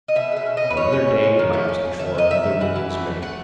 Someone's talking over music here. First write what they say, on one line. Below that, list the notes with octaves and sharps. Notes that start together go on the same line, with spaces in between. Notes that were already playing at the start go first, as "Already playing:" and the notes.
Another day elapsed before another move was made.
D#5
B2 E5
G#3 E5
C#4
D#5
B2
B4
C#4 C#5
C#4
B2
G#3
D#3
A3
C#4
A3
D#3 E5
D#3 D#5
D#3 E5
D#3
E3 F#5
E3
A3
A3
A3 F#5